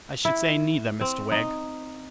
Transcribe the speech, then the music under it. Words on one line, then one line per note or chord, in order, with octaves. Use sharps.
'I should say neither, Mr Wegg.'
E4
C4
D#4